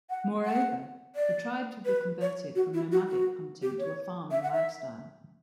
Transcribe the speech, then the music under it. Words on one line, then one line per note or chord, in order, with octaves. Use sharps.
Moreover, the tribes would be converted from nomadic hunting to a farming lifestyle.
F#5
F#5
D5
B4
C#5
F#4
E4
F#4
F#4
G4
C#5
E5
F#5
E5